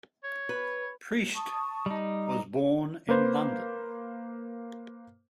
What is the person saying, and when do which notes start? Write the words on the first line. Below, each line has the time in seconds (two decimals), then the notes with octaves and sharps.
Priest was born in London.
0.24 C#5
0.49 B4
1.36 A5 C#6 D#6
1.86 G3 D#4
2.26 A#5
3.09 A#3 B4 C5